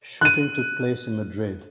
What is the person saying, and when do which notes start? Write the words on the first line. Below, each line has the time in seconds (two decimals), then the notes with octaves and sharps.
Shooting took place in Madrid.
0.21 F#6 D#7